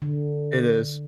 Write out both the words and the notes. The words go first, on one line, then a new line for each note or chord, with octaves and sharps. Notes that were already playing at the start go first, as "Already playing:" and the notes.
It is.
D3